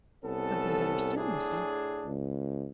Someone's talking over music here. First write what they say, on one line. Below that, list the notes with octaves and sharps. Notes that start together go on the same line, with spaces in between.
"Something better still, Mouston."
C2 B3 C#4 A4
A2 D4 G#4
C#2